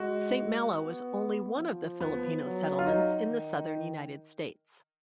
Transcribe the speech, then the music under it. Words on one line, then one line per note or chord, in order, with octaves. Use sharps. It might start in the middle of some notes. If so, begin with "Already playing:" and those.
Saint Malo was only one of the Filipino settlements in the Southern United States.
Already playing: G#3 F#4
B3
F3
B3
F#3
F4
D#4
D#3